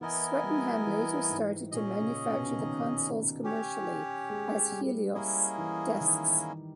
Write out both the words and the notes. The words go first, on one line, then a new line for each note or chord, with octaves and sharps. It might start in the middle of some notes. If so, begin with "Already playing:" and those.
Swettenham later started to manufacture the consoles commercially as Helios desks.
E3 B3 E4 A#4 D#5 G#5
G3
E3
G#2
A#2 C#4 G#4 D#5
C#3
C#3
B2
C#3
D#3
C#4 G4 C#5
G#3
G3
G3 A#3 C#4 E4 G#4 D#5
E3
D#3